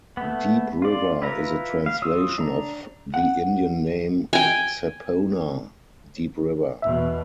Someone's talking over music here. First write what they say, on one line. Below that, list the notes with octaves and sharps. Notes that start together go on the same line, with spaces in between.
Deep River is a translation of the Indian name "sapponah", "deep river".
A3 B3
F4 D5
E4 F4 B4 A#5
F5
F4 C#5 D#6 E6
D4 A#5
F#5
G5 G#5
E2 B2 E5